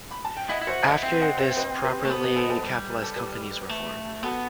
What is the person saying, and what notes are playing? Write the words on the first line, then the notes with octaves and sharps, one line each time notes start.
After this properly capitalised companies were formed.
B5
A5
G5
E4 D#5 F#5
E4
F#4 C5 E5
E4 D#5 F#5
C4 E5 G5
D#5 F#5
C5 E5
B4 D#5
G4 B4
A3
B3 A4 C5
B4 D#5
A4 C5
D#5
A4 C5
G3
B4
A4
G4 B4
A3
B3 F#4 A4